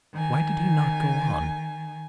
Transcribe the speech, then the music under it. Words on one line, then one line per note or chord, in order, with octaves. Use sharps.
Why did he not go on?
D#3 G#5